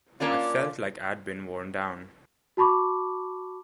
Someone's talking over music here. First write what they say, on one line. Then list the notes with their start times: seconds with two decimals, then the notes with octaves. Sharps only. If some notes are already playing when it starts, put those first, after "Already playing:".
I felt like I'd been worn down.
0.20 A#3 C#4 D4 F4
2.57 F#4 A5 B5 C#6 D6